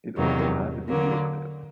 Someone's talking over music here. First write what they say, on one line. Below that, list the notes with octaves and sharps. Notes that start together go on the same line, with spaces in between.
It also had a video clip.
E2 C3 D#3 F#3 A#3
D3 F#3 A#3